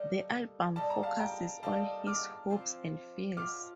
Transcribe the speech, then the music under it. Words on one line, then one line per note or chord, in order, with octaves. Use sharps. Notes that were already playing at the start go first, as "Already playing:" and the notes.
The album focuses on his hopes and fears.
Already playing: G3 A#3 D#4 A4
G3 A#3 D#4 A4 A5
A#5
F5 A5
G5 A#5
G3 A#3 D#4 A4 F5 A5
D6 F6
F3 C4 F4
F3 C4 F4 D6 F6